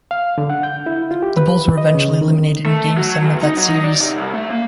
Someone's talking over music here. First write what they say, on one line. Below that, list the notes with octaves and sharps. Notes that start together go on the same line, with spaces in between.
The Bulls were eventually eliminated in game seven of that series.
F5
D3
F#5
G6
E4
F4
G4
B4
D#5
C#3
D#3
A3
F#3
E2
D#4
F#3
D#4
D5
C3
C2
A3
A#3